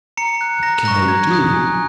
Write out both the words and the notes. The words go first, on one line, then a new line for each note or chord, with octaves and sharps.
What can I do?
A#5 C#7
F#6
A#5 A#6
C#6 F#6 A#6
A#6
A#5 G#6
D#6 F#6
G#5